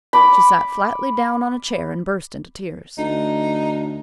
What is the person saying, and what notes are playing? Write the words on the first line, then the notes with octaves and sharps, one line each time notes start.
She sat flatly down on a chair and burst into tears.
B5 D6
D2 D#4